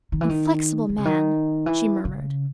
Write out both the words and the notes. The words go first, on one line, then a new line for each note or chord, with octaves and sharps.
"Inflexible man!" she murmured.
D#3
E3
D#3
D#3
C#3
D#3
E3
C#3